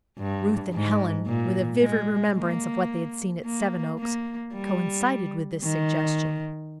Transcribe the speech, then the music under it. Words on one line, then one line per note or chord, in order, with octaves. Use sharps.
Ruth and Helen, with a vivid remembrance of what they had seen at Seven Oaks, coincided with this suggestion.
G2
G#2
A#2
G#3
A#3
A#3
A#3
G3
D#3